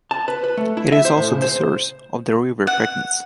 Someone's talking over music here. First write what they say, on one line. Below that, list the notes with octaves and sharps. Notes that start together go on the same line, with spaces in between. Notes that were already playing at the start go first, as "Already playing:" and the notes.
It is also the source of the river Pegnitz.
A5
B4
B4
A3
E4
E5
C5
A2
C#3
C5
F#5